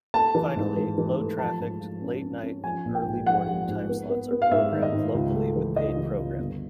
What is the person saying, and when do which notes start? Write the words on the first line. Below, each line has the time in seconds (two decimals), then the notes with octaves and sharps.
Finally, low-trafficked late night and early morning timeslots are programmed locally with paid programming.
0.14 A3 A5
0.35 E3
0.56 G#2
0.76 E3
0.98 E3
1.18 A3
1.39 F3 A5
1.60 G#2
1.80 F3
2.02 C#4
2.22 C#4
2.43 C#4
2.63 F3 G#5
2.85 A#1
2.95 G5
3.06 G#2
3.26 F3 F#5
3.47 F3
3.68 G#2
3.89 B3
4.10 B3
4.31 B3
4.42 F5
4.51 G#2 E5
4.72 D#3
4.82 D#5
4.92 G#2
5.15 C#2
5.34 A3
5.56 E3
5.76 C#2 D#5
5.97 E3
6.19 C#2
6.39 G1